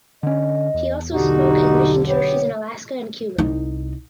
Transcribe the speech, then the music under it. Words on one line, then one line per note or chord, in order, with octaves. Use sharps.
He also spoke at mission churches in Alaska and Cuba.
D3 C#4 D#5
E2
B1 D3 D#4 F#4 G4
B3 G4 C#5
C2 D#4